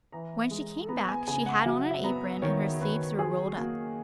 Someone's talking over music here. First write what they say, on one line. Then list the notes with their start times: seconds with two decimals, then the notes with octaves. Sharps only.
When she came back she had on an apron and her sleeves were rolled up.
0.12 E3 A#5
0.51 G#3
0.89 B3 A#5
1.09 G#5
1.28 C#3 G#5
1.46 F#5
1.65 F#3 E5
1.79 F#5
1.91 E5
2.04 B3 A#5
2.42 D#3 C#5
2.81 D#3 B4
3.18 F#3 G#4
3.57 A#3 F#4